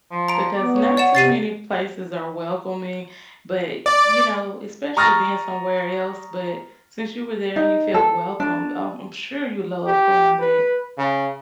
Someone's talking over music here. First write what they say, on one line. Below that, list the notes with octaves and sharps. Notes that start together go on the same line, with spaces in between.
Because not too many places are welcoming, but, you know, especially being somewhere else, but since you were there and you felt welcome, um, I'm sure you love going back.
F3
A#5 D7
B3 D5
C#5
D5 F#5 E7
C3 A6 C7 D#7
D5
A#5 C#6 D#6 F6 A6 A#6
D#4
A4
D4
G4
B4
C#3